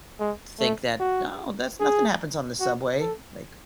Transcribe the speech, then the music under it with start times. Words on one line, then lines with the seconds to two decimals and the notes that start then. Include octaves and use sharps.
think that, "No, that's nothing happens on the subway." Like,
0.20 G#3
0.60 A3
1.00 F#4
1.80 G#4
2.60 F#4
3.00 A4